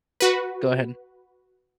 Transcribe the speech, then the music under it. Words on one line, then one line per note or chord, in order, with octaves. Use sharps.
go ahead.
F#4 B4